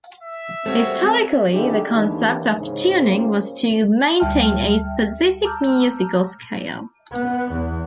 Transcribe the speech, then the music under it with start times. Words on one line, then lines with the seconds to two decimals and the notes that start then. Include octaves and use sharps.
Historically, the concept of tuning was to maintain a specific musical scale.
0.23 E5
0.66 G3 A3 C4 F#4 C#5
1.52 D3 D#3 D4 E4 G4 G#4
1.94 D#2 E3 D4
2.58 G#2 C#3 C#4
3.01 G3 A#3 C#4 F4 G4 C5
4.20 D2 G3 E5 G5 A5 F6
5.44 A5 A#5 D6 E6 F6 G6
7.12 B3
7.51 E2